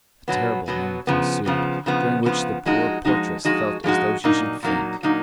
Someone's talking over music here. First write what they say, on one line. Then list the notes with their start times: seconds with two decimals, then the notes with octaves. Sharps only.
A terrible moment ensued, during which the poor portress felt as though she should faint.
0.28 B2 F#3 B3
0.68 B2 F#3 B3
1.07 C#3 F3 B3
1.46 C#3 F3 B3
1.86 C#3 F3 B3
2.25 C#3 F3 B3
2.66 F3 G#3 D#4 F#4
3.05 F3 G#3 D#4 F#4
3.45 F3 G#3 D#4 F#4
3.84 F3 G#3 D#4 F#4
4.24 A#2 F#3 A#3 D#4
4.63 A#2 F#3 A#3 D#4
5.03 A#2 F#3 A#3 D#4